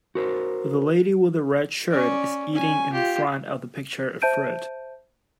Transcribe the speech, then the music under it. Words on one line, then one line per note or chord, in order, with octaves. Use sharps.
The lady with the red shirt is eating in front of the picture of fruit.
F#4 A#4 C5
C#4 D5
C#4 G#5
F4 G4
C5 E5 A5 G6 D7 D#7